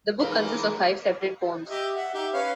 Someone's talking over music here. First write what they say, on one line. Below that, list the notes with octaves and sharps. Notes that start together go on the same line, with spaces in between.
The book consists of five separate poems.
E3 G#3 A#3 D#4 A#4 B4
G4 D#5 E5
E5 F#5
D#4 G4 E5
C#4 B4 F5